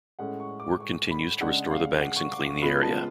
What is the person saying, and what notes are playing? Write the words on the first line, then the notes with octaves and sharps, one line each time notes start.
Work continues to restore the banks and clean the area.
A2 G#3 C#4 F#5
C#6
D6
C#6
B5
C#3 G#3 D4 F#5
F5
F#5
C#6
D6
C#6
C#3 G#3 B3 F4 B5
A5